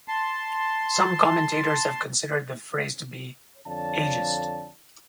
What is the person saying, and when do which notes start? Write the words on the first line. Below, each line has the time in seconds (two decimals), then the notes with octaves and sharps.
Some commentators have considered the phrase to be ageist.
0.08 A5 C6
3.66 F2 D3 C#5 D5 F5 A5